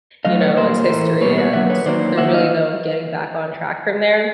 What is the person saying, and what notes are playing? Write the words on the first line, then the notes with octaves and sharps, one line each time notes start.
you know, it's history, and there's really no getting back on track from there,
D3 F#3 A3 D#5 F5
B4 C#5
A#2 G3 A#3 A#4 C5
A2 E3 A3
B2 G3 A#3 B4 C#5
B4 C#5
D3 F#3 A#3 E5 F#5
B4 C#5
D#3 F#3 A#3 C5 D5
D#3 F#3 A#3 E5 F#5
D#5 F5